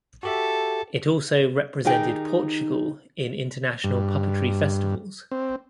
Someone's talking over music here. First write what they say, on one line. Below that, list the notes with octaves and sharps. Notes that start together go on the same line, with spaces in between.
It also represented Portugal in international puppetry festivals.
F#4 G4 A4 E5
D#3 D#4 G4 G#4 G5
G2
C4